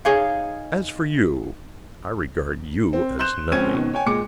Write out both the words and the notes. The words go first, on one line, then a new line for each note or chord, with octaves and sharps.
"As for you, I regard you as nothing."
D#4 G#4 C#5 F5
C4
C6 F#6 G6 E7
C#2 F3 C4 C#4 G#6 D#7
B2 D#3
C#5 G5 G#5
A#2 G#3 D6 C#7